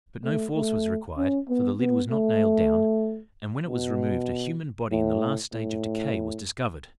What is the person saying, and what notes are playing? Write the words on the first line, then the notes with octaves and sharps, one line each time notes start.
But no force was required, for the lid was not nailed down; and when it was removed, a human body in the last stage of decay was discovered.
A3
A3
C#4
B3
B3
A3
B2
A2
A2